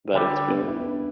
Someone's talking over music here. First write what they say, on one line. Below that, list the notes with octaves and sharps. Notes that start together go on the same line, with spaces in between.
that experience.
D2 D3 G3 D4
B3
E4
B3
D4